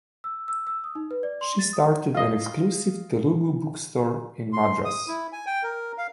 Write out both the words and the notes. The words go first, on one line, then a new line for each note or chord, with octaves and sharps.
She started an exclusive Telugu bookstore in Madras.
E6
E6
E6
D#6
D#4
B4
D5
C6
A6
D#6
F4 D#5
C6
D#6
E4
G#5
G5
A#4
F5